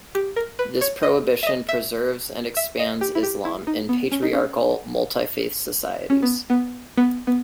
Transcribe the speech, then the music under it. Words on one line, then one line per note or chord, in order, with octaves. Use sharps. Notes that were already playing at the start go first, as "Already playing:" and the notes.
This prohibition preserves and expands Islam in patriarchal, multi-faith societies.
G4
A#4
B4
C#5
D#5
E5
D#5
E5
E5
D#5
G4
E4
G4
E4
D#4
B3
C#4
D#4
C#4
C#4
B3
B3
B3
B3